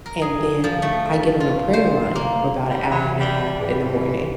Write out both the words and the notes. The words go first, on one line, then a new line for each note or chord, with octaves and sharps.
and then, I get on a prayer line for about a hour and a half in the morning,
A#4
G#4
F3
A3
F4
C5
A#3
G3 G5 B5
D#2 E3 F#3 E5 B5
G3
G#2 E3 G#4 C5 F5